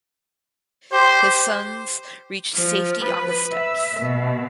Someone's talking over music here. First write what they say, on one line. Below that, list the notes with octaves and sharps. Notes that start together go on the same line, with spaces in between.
His sons reached safety on the steppes.
G4 C5 G6
F3
B4
E5
B2